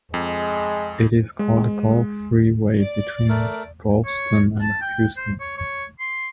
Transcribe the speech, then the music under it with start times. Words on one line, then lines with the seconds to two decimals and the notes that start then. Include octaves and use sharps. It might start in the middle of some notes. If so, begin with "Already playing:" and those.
It is called Gulf Freeway between Galveston and Houston.
0.14 F2 G#3
1.39 G#3
2.81 D5
3.29 A3 A#4
4.05 C#5
4.61 A5
4.81 G5
5.17 C5
5.40 C#5
5.57 C#5
5.99 C6